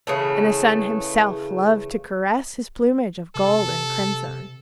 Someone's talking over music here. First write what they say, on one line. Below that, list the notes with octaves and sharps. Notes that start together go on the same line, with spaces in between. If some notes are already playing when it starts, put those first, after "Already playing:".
And the Sun himself loved to caress his plumage of gold and crimson.
C#3 E3 A3
C3 A4